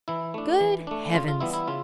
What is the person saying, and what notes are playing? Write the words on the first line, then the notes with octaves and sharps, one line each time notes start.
"Good Heavens!"
E3 E4
A3 D4
E3
A3 D4
C#3 F4
F4
E3 G3 B3 E4
E4
C#3 F4